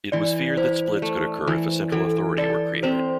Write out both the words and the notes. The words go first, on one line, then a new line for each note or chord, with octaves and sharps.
It was feared that splits could occur if a central authority were created.
E3 D5
E4 C5
A3
E3
E3 A4
A4 D5
C4 C5